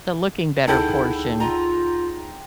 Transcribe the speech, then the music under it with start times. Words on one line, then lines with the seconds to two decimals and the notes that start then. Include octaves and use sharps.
The looking-better portion
0.67 D2 D#4 E4 G#4 A4 F#5 G5
1.40 F4 A#5